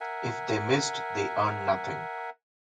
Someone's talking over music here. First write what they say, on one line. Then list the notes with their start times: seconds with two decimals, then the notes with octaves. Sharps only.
If they missed, they earned nothing.
0.01 A#4 E5 F#5 G#5